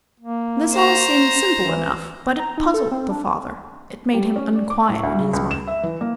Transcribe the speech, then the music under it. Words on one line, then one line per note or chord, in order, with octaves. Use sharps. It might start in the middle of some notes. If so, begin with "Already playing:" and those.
This all seemed simple enough, but it puzzled the father, it made him unquiet in his mind.
A#3
C5 A#5
E3
A#5
D#4
A4
C4
D4
G3
C#4
D5
D6
A2
D2
C#3
C#2
E7
E5
E3
A#3